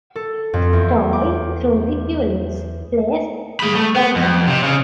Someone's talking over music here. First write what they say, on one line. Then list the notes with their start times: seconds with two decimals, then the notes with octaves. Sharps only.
"Tiptoe Through the Tulips" plays in the background.
0.16 A4
0.54 F2
0.73 E2
1.13 D6
3.60 G#4 B5
3.75 A3
3.96 B3
4.16 F2
4.47 C3
4.63 C#3